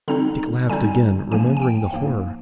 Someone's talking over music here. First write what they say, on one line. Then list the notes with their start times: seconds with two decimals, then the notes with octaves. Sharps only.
Dick laughed again, remembering the horror.
0.08 D3 G3 C4 D#4 A#5
0.70 D3 G3 C4 D#4 G#5
1.31 G#2 F3 A#3 G#5
1.57 G#5
1.62 G5
1.93 G#2 F3 A#3